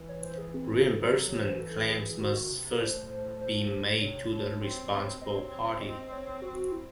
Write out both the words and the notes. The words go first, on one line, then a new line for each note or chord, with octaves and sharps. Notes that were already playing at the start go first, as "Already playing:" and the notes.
Reimbursement claims must first be made to the responsible party.
Already playing: E3
C#5
C5
G#4
C4
C#4
A4
F#3 G#4
A4
E3 C#5
C5
A4
G#4
D#3 F#4
C3
A4
A2 C5
C5
C3 C#5
A3
C4
C4
C4 D#5
C#5
C#5
C#5
D#5
C#5
F#4
E4